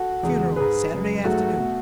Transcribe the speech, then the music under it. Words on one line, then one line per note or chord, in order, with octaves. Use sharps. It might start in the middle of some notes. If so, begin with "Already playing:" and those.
Funeral Saturday afternoon.
Already playing: F#4 A4
E2 C#3 G#3
G#2 G#3 G#4 B4
F#2 C#3 G#3
G#2 F#3 A3 F#4 A4
B2 A3